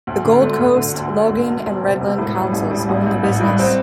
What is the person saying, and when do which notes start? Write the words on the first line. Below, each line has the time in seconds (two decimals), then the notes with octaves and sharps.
The Gold Coast, Logan and Redland councils own the business.
0.07 D2
0.25 D3
0.41 A3
0.60 D2
0.77 D3
0.95 D2
1.12 A3
1.30 D2
1.47 E1
1.66 E1
1.82 C3
2.01 E1
2.18 A2
2.35 G3
2.53 A1
2.71 G3
2.89 A1
3.06 A1
3.24 A1
3.41 G2
3.59 C4